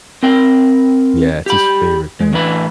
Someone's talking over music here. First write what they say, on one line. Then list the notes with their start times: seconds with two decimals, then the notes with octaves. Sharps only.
Yeah, it's his favorite thing.
0.23 C4 A#4 G5
1.46 G4 B5
2.20 G#3
2.33 A2 E3 D4 B4 B5